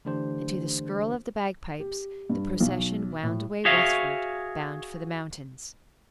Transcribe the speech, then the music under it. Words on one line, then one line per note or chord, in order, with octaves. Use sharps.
And to the skirl of the bagpipes the procession wound away westward bound for the mountains.
D3 E3 A3 D4 G4 C5
G4
G2
B1
A2
F#4 G#4 C#5 E5 F5